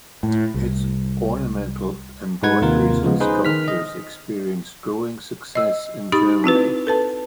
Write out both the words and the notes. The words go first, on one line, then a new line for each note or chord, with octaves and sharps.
Its ornamental embroideries and sculptures experienced growing success in Germany.
A2
C2
G#2 G#3 D#4 B4 F#5 G#6
D#2 C3 F4 A#4
C#3 F3 G#3 B3
D#4 G#4 B4 C5
D#3 F6 B6
D#5
D#5 E6
D#4 G4 B5 D#6 A6
C4 E4 F#4 B4
A4 B4 A5